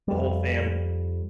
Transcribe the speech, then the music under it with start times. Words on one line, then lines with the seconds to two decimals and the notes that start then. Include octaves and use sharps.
the whole fam
0.08 F2 G3